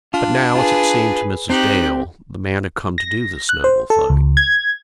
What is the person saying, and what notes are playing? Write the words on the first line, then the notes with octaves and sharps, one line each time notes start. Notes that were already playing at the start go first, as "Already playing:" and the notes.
But now, as it seemed to Mrs. Dale, the man had come to do this noble thing.
D4 F4
F4 G#4 B4
C4 D#4 G4 F#6
A#6
F#6
C5
A4
C#2
G#6